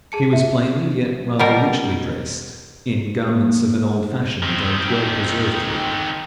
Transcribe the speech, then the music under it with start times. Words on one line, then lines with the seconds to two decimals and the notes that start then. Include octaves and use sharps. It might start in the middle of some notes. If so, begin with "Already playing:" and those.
She was plainly yet rather richly dressed, in garments of an old-fashioned and well-preserved look.
0.12 G#4 A5 C#7
0.33 E5
1.39 B2 G3 A#4
3.29 A#3
4.43 D#3 C4